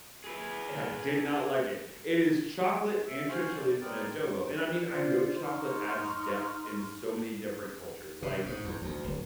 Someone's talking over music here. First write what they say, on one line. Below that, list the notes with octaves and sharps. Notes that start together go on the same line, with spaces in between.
and I did not like it. It is chocolate, ancho chilies and adobo, and I mean, I know chocolate adds depth in so many different cultures, like,
G#4 B4
E5
F#4 C5 F5 G#5 C6
D5
G#3 B3 C4 A#4 D5
F4 C5 D5
D#4 C6 C#6 F6
C3
G#2
E2
D2
D1